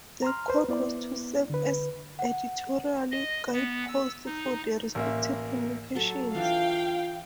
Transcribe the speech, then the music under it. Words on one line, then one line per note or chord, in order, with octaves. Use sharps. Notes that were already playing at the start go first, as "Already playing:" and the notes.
The code was to serve as editorial guideposts for the respective communications.
A#5 C6 F6
B4 C5
B3 E4 D5
D3 B4
F#5
D#5
B3
E6
D#4
A1 A#3 E5
F#3 A4
E3 D4 F4 F5 G5